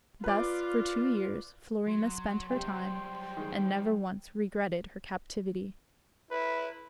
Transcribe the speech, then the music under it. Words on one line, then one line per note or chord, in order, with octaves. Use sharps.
Thus, for two years, Florina spent her time, and never once regretted her captivity.
F4 B4 D5
F#3 C6
C3 F#3 G3 C5 G5
D#3 G#3
E4 B4